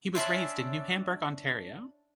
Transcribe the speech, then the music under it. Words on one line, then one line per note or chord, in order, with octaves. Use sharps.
He was raised in New Hamburg, Ontario.
C#4 D4 E5 C6